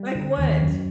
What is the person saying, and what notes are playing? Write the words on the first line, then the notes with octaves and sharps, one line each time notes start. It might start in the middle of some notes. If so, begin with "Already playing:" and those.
Like what?
Already playing: G3
D3
D#2
F#2